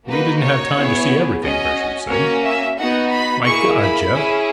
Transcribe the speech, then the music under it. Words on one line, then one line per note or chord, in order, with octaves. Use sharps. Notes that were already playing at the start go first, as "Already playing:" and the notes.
We didn't have time to see everything," Gresham said. "My God, Jeff!
A#3 D#4 F#4 B4
C#5
B3 E4 G#4
C#4 F#4 D#5
A#3 C#4 F#4 C#5
E5
B3 D#4 F#4 F#5
B5
A#3 E4 G#4 C#6
B5
C#4 E4 G#4